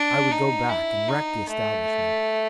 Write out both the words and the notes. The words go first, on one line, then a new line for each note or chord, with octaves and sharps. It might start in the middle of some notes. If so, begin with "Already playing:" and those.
I would go back and wreck the establishment.
Already playing: D4
D#4
E4
D#4
A3